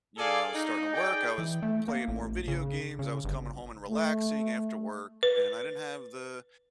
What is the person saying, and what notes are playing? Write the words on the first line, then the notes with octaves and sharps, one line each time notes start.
You know, I was starting to work, I was playing more video games, I was coming home and relaxing after work. And I didn't have the
G#4 A4 D5 F5 G#5
D#4
G#4 D5 G5
E3
A3
A#3
A1
C#3
C#3
G1
A3
B4